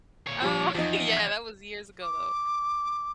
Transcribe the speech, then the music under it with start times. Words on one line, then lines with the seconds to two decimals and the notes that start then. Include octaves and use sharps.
Oh, yeah, that was years ago, though.
0.27 A#2 C#5
0.42 F3 G3 D6
0.75 E2 F3 D#4
1.17 G#6
2.03 D6